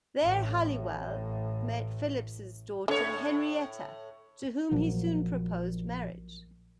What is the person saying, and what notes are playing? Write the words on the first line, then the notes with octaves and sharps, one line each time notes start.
There Halliwell met Phillipps's daughter, Henrietta, to whom he soon proposed marriage.
A1 A2
A2 D3 C#5
A#1 A#2 F3 F#3